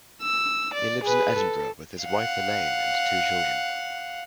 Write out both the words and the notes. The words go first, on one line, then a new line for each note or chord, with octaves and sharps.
He lives in Edinburgh with his wife, Elaine, and two children.
E6
D5
G#4 B4
A4
F5 F#5